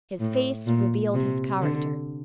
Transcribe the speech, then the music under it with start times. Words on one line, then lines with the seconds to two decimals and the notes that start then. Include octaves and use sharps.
His face revealed his character.
0.20 A2
0.66 A#2
1.14 C3
1.61 D3